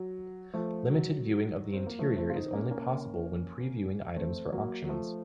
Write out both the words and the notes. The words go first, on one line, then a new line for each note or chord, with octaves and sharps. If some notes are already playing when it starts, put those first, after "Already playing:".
Limited viewing of the interior is only possible when previewing items for auctions.
Already playing: F#3
F3 A3
F#3
C4
A#3
F3 A3
A3 C4
F4
C4 D#4
A#3 C#4
A#3 C#4
A3 C4
F#3 A#3
F#3
F3 A3